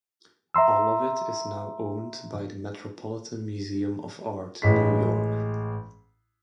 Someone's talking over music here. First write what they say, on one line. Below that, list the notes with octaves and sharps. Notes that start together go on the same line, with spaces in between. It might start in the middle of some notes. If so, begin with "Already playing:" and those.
All of it is now owned by the Metropolitan Museum of Art, New York.
E5 A#5 C6 E6
A1 G#3 B6